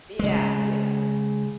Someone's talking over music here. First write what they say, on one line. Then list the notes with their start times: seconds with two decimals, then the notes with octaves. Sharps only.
Yeah, yeah.
0.19 C#3 G#3